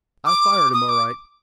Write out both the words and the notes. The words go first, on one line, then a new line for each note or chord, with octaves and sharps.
I fired him, all right.
D6
D#6
D6